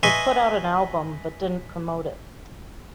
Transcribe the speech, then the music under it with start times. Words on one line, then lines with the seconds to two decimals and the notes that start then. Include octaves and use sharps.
They put out an album but didn't promote it.
0.03 B4 D#5 E5 G#5 C6 C#6